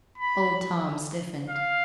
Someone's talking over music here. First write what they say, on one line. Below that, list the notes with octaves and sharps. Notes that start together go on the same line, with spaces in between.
Old Tom stiffened.
B5
F5